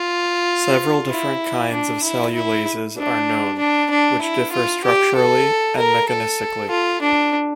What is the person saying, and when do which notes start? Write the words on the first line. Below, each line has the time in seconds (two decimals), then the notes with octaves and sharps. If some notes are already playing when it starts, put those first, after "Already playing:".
Several different kinds of cellulases are known, which differ structurally and mechanistically.
Already playing: F4
1.10 E4
1.72 D4
2.04 E4
2.35 E4
2.97 D4
3.59 D4
3.90 D4
4.22 E4
4.52 F4
4.84 G4
5.15 A4
5.77 A#4
6.09 A4
6.70 F4
7.02 D4